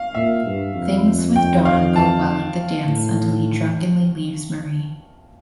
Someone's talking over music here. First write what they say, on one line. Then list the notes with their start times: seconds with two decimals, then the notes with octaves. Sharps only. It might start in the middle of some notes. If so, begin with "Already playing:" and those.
Things with Don go well at the dance until he drunkenly leaves Marie.
Already playing: F5
0.15 A#2 E5
0.46 G2
0.75 F2
1.36 G5
1.65 F5
1.96 A5
2.86 A2